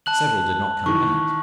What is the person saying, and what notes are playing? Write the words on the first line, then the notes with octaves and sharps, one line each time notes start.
Several did not come back....
A5 F#6 F#7
D#3 E3 C#6